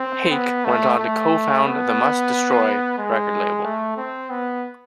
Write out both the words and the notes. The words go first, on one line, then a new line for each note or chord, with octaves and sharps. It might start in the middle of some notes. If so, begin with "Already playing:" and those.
Hake went on to co-found the Must Destroy record label.
Already playing: C4
B3
A3
A3
B3
G#3
A3
C4
B3